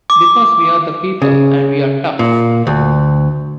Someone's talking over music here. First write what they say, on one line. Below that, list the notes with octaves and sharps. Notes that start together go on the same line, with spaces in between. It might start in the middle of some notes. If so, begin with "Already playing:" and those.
Because we're the people and we're tough!
D6
C#3
A#2
D2